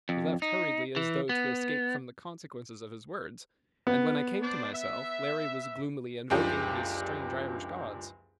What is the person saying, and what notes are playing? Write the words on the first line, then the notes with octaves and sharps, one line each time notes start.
He left hurriedly, as though to escape from the consequences of his words, and when I came to myself Larry was gloomily invoking his strange Irish gods.
F2
D#4
E3
B3
B3
D4 C5 D5
E5
F#1 C#2 F3 D4 G4